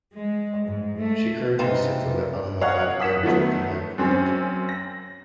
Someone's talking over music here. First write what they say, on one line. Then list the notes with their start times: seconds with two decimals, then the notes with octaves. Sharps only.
She currently sits on the Allahabad Bench of the High Court.
0.15 G#3
0.69 G#2
0.99 A3
1.59 C3 E3 C4 D#4 F4
2.61 C#5 D#5 F5 F#5
2.99 F#5 D#6 B6 E7
3.23 D#3 F#3 A3 B3
3.98 F#2 C4 C#4
4.69 A#6